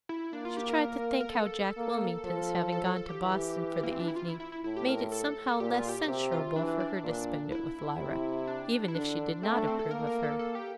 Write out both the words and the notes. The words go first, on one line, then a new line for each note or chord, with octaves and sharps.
She tried to think how Jack Wilmington's having gone to Boston for the evening made it somehow less censurable for her to spend it with Lyra, even if she did not approve of her.
E4
A#3 D4
F4
G4
A#4
A#4
A4
A#3
F3
A4
A4
A4
G4
E3
A#3
C4
D4
E4
F4
E4
E4
E4
A2 E4
G4
A#4
A4
A#2 G4
F4
G4
C3 G4
F4
E3 D4
D4
A#2
E4
C3
D4
E4
D3 D4
A3 C4
D4
C4
A4
A#3 A#4
A#4
A4
A4
G4